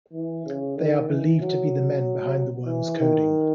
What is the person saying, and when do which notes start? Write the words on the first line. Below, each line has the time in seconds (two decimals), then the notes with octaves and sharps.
They are believed to be the men behind the worm's coding.
0.13 E3
0.46 C#3
0.77 D#3
1.08 E3
1.41 F#3
2.66 E3
2.98 D#3